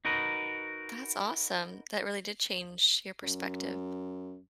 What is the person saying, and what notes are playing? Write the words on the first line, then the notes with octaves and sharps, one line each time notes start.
That's awesome. That really did change your perspective.
D#4 F#4 A#4 B4
F#2